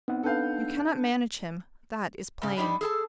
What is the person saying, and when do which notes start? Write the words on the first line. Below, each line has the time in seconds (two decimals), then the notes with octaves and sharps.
"You cannot manage him; that is plain."
0.08 B3 C4 D#4 F#5
0.23 D4 A4 B4 F5 G6
2.42 G#2 C#3
2.57 G2 G3 D4 D#4 G4
2.81 G#4 A4 A5